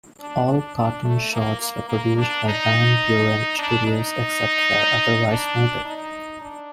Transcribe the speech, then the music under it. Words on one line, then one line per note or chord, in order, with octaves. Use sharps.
All cartoon shorts were produced by Van Beuren Studios except where otherwise noted.
D4
D4
D4
A3
A#3
A#3
A#3
D4
D#4
D4
D#4
D4
D#4
D4